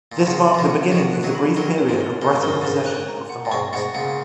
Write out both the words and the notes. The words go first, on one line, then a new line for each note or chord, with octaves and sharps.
This marked the beginning of the brief period of Breton possession of the Mont.
A#2
B2
A#2 C#3 F#5
B5
F3
B2 D#3
F#5
B2 D#3 F#5
F#6
D#3 F#3
B5
D#3 F#3 A#4
C#5
G#2
A#4
A#2 A#4
G#2
A#4
F#2
G#2 A#4
F#6
A#5
F#5
A#2
G#2 B2 C#6
G#2 B2 F#5
A#2 C#3 F#5